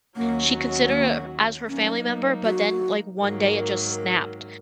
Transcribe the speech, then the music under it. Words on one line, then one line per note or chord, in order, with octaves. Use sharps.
she considered, uh as her family member, but then, like, one day it just snapped
D#2 D#3 F#3 A#3 C#4 F#4
G#3
A#3
F#3 A#3 C#4 D#4
F#4
G#2 D#3 F#3 A#3